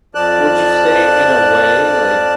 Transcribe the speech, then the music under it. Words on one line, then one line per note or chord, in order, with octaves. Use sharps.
Would you say in a way like,
F2 F3 D5 A5 F#6